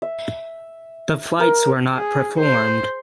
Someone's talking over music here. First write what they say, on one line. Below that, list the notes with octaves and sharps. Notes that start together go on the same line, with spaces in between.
The flights were not performed.
E5
A#4
G#4
C5